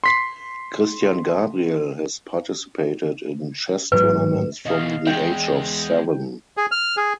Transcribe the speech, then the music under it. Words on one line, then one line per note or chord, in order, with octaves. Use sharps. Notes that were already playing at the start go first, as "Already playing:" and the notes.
Christian Gabriel has participated in chess tournaments from the age of seven.
C6 B6 C7
A1 G#2 F#3 B4
B2 D#3 D#5 F5
E2 G#3 G5
G#4
F6
G#4